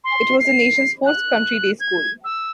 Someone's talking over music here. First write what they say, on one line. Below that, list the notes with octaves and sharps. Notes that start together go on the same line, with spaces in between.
It was the nation's fourth country day school.
C6
C7
F#6
G#6
E6